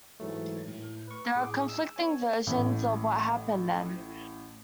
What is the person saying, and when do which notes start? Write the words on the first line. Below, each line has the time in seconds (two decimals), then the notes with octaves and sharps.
There are conflicting versions of what happened then.
0.20 G#2 E3 F#3 A3
0.68 A2
1.07 B4 C#6
1.36 A2 G#4 D6
1.69 E6
1.96 B3 C#5 G#5
2.47 A1 A2